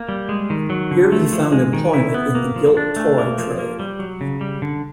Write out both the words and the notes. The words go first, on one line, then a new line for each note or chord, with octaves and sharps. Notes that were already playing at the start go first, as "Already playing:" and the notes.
Here he found employment in the gilt-toy trade.
Already playing: A#3
G3
G#3
D#3
F#3
D3
A3
F3
G#3
D#3
E4
B3
A#3
F3
D4
A3
A#3
F3
A#3
G3
F#3
C#3
G3
D3